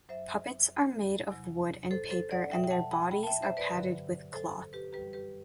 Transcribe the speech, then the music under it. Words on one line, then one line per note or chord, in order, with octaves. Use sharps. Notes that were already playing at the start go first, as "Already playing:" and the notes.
Puppets are made of wood and paper and their bodies are padded with cloth.
F#2 F#3 C5 E5
E2 C3 F#3
A4 C5
A4 C5
D5 F#5
B2 F#3 E5 G5
G5
F#5 A5
G5 B5
G5 B5
A5
E5 G5
C5 E5
B4 D5
G2 D3 F#3
A4 C5
G4 B4
F#2 E3 G3 G4 B4
G4 B4